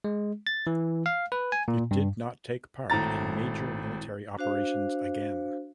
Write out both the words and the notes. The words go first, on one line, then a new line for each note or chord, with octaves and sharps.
It did not take part in major military operations again.
G#3
A6
E3
F5
B4
G#5
A#2
G2
G#1 A2 A#5 A6
D4 F#4 C5 F5